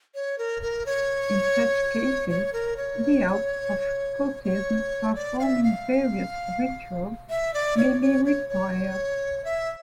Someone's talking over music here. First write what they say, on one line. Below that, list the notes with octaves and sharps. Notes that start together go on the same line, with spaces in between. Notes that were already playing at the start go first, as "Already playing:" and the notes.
In such cases, the help of cultists performing various rituals may be required.
C#5
A#4
A#4
C#5
C#5
A#4
C#5
C#5
D5
F5
E5
F5
E5
D5
C#5
C#5
C#5
C#5
E5